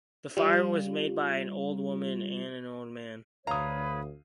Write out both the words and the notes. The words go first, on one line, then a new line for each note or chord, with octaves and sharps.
The fire was made by an old woman and an old man.
G3 F4
D2 B4 C#5 F5 A#5 D#6